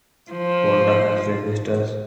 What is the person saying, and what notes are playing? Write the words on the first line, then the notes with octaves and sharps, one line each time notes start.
Vonda has three sisters.
F3